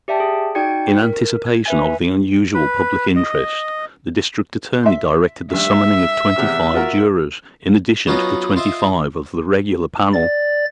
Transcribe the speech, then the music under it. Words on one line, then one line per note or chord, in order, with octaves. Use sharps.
In anticipation of the unusual public interest the District Attorney directed the summoning of twenty-five jurors in addition to the twenty-five of the regular panel.
G4 D5 E5 G5 A5
G#4
D#4 F#4 D5 G5 G#6 C#7
A#4
G#6
B4 E5 G#5
B4
D#5
E5 C6
G2 E5
E2 C3 E6
F4 F#4 A#4
F#3 B3 C#4 D#4 F4
F4 C5 D#5 E5
D5 A6